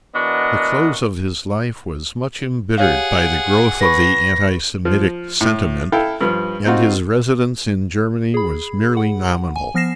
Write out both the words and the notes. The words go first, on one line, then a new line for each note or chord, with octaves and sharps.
The close of his life was much embittered by the growth of the anti-Semitic sentiment; and his residence in Germany was merely nominal.
E3 B3 D4 F#4 A#4 D#5
G4 G#4 C#5 F5 F#5
B4 B5 C#6 A#6
F3
A2
E4 A4 F5 G5
G2 F3
C4 D#4 F4 F#4
G#4 B5
F#5
G#5
F3 B3 F6 A#6 C7 E7